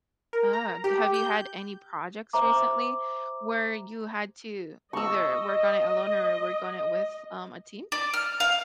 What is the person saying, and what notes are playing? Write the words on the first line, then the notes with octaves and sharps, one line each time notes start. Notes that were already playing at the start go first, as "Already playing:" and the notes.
Uh, have you had any projects recently where you had to either work on it alone or work on it with, um, a team?
A#4
A#5
G4
G6
C5 E5 A#5 D6
D#5 C#6 E6
D5
F6
F5